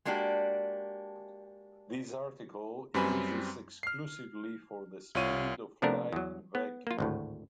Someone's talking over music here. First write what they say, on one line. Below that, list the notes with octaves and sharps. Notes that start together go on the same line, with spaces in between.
This article uses exclusively for the speed of light in vacuum.
G#3 A#3 D4 F#4 G4
F#2 G3 C4 B4 G#5 B5
F6 C7
C2 F4 C#5 D#7
C3 F3 A3 B3 D4 A#4
E2 F#3
B3
A#3 F4
G#1 D2 A2